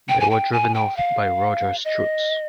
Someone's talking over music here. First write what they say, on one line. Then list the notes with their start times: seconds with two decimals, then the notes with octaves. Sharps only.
They were driven off by Rogers' troops.
0.09 G5
0.20 G#5
0.30 G5
0.53 G#5
0.75 G5
0.97 F5
1.85 D#5